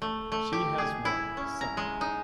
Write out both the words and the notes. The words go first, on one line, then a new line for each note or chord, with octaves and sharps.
She has one son.
A3
A3
G4
G#4
E4
C#4
A#5
G#3
D#4